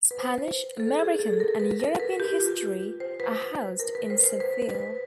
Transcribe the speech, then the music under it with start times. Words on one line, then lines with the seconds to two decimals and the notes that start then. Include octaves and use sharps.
Spanish American, and European history, are housed in Seville.
0.11 B4
0.19 C5
0.80 A4
0.99 G#4
1.19 A4
1.34 A4
1.40 A#4
1.60 B4
1.80 A#4
2.00 B4
2.20 G4
2.40 F4
3.00 C5
3.20 B4
3.80 A#4
3.95 B4
4.10 C5
4.25 C5
4.40 B4
4.70 B4